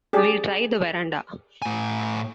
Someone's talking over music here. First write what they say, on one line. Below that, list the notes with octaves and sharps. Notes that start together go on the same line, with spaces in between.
We'll try the verandah.
G4 G#4 D5
A2 G#5